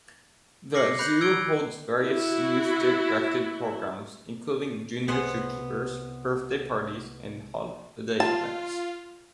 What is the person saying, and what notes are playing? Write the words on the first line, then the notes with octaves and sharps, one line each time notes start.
The zoo holds various youth-directed programs, including Junior Zookeepers, birthday parties and holiday events.
D6 A#6 C7 C#7 F#7
B5 F#6 G6 C#7 F#7
E6 G#6 C#7 D7 G7
E4 F#4
C2 B3 G#4 C5
F4 A5